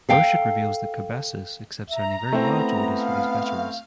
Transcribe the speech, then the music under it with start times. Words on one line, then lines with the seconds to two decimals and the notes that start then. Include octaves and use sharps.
Boschert reveals that Cobasys accepts only very large orders for these batteries.
0.09 A4 F5 G5
1.90 E5 A#5
2.33 A3 B3 C4 E4
2.97 F5